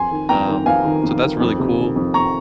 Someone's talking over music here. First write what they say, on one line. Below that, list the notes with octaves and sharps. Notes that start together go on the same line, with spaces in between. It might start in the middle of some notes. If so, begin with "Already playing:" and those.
um, so that's really cool
Already playing: F2 G#5 C6
D#3
F2 G5 A#5
D#3
F2 F5 G#5
D#3
F2
D#3
F2
C3
D#3
F2
F2 A#5 C#6